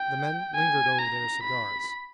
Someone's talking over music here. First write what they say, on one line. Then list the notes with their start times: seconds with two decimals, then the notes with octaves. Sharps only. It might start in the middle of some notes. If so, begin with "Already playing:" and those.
The men lingered over their cigars.
Already playing: G5
0.55 G#5
0.98 A#5
1.42 B5